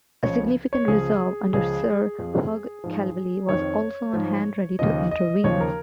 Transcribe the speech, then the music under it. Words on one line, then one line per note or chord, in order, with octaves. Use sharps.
A significant reserve, under Sir Hugh Calveley, was also on hand ready to intervene.
C#2 C#3 F3 C#5
C#5
C#2 C#3 F3 G#4
C#2 C#3 F3 G#4
F2 F3
G#2 F3
F2 D#3 C#5
G#2 F3
D#2 C#3 F3 D#5
D#5
D#2 C#3 F3 C#5
A#4